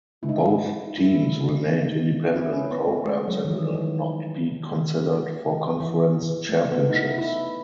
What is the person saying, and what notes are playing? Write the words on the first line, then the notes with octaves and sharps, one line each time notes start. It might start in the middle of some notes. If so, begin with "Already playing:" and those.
Both teams remained independent programs and will not be considered for conference championships.
E4
D#4
E4
D#4
E4
C#4
B3
A3
G#3
F#3
D#3
E3
D#3
E3
A3
B3
D#4
E4
E4